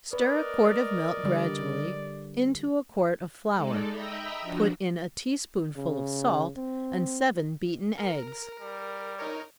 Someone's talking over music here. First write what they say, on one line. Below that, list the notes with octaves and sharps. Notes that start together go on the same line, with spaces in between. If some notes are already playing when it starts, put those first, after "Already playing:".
Stir a quart of milk gradually into a quart of flour--put in a tea-spoonful of salt, and seven beaten eggs.
A#4 B4 D5 D#5
D3 G3
G#3 D#4 A4 D5
D#5 E5 G5 A#5 B5 E6
F3 D4 F#4
C#3
C4
A#4
G3
D#4 A#4 C#5